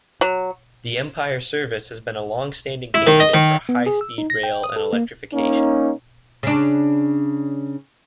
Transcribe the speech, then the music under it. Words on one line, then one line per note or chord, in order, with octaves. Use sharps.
The Empire Service has been a long-standing candidate for high-speed rail and electrification.
F#3
E4
D#3
D#5
D#3
B3
G#4
E6
D#4
A#6
G5
D#6
A4
A#3
A#3 C#4 D#4
C#3 D4